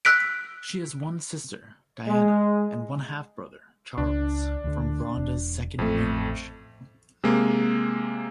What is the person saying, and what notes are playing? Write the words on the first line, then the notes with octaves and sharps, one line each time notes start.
She has one sister, Diana; and one half-brother, Charles, from Bronda's second marriage.
E6 F#6 B6 D7
G#3
C#2 D4
D2 D3
E1
A1 F2 A3
C3 G#3 A#3